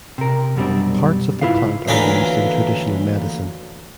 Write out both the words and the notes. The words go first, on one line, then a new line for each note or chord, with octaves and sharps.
Parts of the plant are used in traditional medicine.
C3 A#4
F#2 B2 G3 C4 D4
C#2 G#2 E4 F4 B4 F5
D2 E3 A#3 D4 B4 C#5